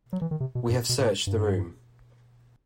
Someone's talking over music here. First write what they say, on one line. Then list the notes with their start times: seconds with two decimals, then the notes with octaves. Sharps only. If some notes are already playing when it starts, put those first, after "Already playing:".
We have searched the room.
0.13 F#3
0.22 E3
0.31 D#3
0.40 C3
0.55 B2
0.69 G2
0.89 B2
0.99 A2
1.27 G2